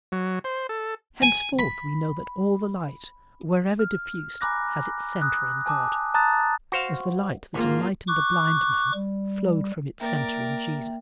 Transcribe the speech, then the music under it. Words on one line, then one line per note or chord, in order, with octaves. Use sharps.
Henceforth we know that all the light wherever diffused has its centre in God, as the light that enlightened the blind man flowed from its centre in Jesus.
F#3
C5
A4
G#5
B5
F6
G#5 A#5 B5 D6 F#6 A#6
D#6 F#6
G#5 A5 D6 D#6
A5 A#5 D#6 F#6 A6
F#4 C5 F5
G#1 A#3 F4
C#6 D6 F#6
G3
A#3 A#4 D5 E5 G5